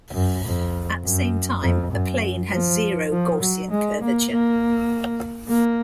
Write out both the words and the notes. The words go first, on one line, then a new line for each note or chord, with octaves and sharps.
At the same time, a plane has zero Gaussian curvature.
F#2
F2
F#2
F2
F#2
F3
F3
F#3
G#3
A#3
A#3
A#3